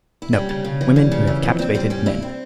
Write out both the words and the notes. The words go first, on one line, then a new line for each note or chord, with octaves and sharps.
Note, Women who have captivated men.
E4
G3 C#4
C#3
C#3
E3
G3
C#3
E3
F2
G2 C4
G3 C4
G3 C#4
G2 E4
C4